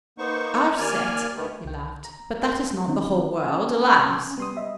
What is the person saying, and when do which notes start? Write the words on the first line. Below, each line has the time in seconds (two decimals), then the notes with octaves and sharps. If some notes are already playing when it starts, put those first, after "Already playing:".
"Our set," he laughed, "but that is not the whole world, alas!"
0.18 A#3 B3 D#4 C5 C#6
0.77 D#2 A#3 D5 G#5 F6
1.36 D2 D#3 A3 B3
1.65 C2 G5
2.05 A#5
2.40 A#4 F5 G#5 A5 C6
2.88 D#3 C4 C#4 D#4
3.44 C#4 G#5 A5
3.98 C3
4.38 G3 B3 C6 D#6
4.57 G3 D#5 E5